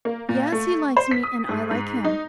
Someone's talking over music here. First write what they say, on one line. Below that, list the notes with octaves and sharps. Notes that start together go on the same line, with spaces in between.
Yes, he likes me and I like him.
A#3
A#2
A3
C5
B6
D#6
G#2
G#2
D#4